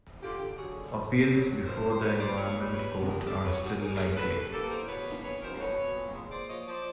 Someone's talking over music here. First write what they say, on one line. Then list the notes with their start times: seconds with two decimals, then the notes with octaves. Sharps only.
Appeals before the Environment Court are still likely.
0.23 D3 F4 G4
0.40 D3
0.58 F#3 F#4 G#4
0.77 D3
0.95 G2
1.12 G2
1.31 F#3
1.48 G2
1.66 A#2 A#4 C5
1.83 A#2
1.91 C5
2.01 G3 B4 C#5
2.20 A#2 C5 D5
2.37 A#2 B4 C#5
2.55 G3
2.73 A#2 B4 C#5
2.91 A#2
3.09 D#2 G#4 A#4
3.27 D#2 G4 A4
3.45 F#3 B4 C#5
3.62 D#2 F#4 G#4
3.80 D#2 G#4 A#4
3.99 D#2
4.12 A#4
4.17 F#3 A4 B4
4.35 D#2
4.52 A#3 G4 A4
4.70 E2 A#4 C5
4.88 B2 B4 C#5
5.06 A#3
5.24 E2 B4 C#5
5.41 B2 A#4 C5
5.59 B2 B4 C#5
5.78 B2
5.96 A#2
6.13 G#3
6.31 A#2 C5 D5
6.49 F3 C#5 D#5
6.67 F3 C5 D5